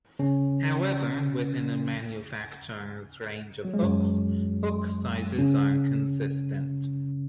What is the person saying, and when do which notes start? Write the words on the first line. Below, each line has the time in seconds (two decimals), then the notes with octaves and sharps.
However, within a manufacturer's range of hooks, hook sizes are consistent.
0.19 C#3 C#4
3.65 F#3
3.74 G#3
3.82 F#2 F#3
5.38 C#3 C#4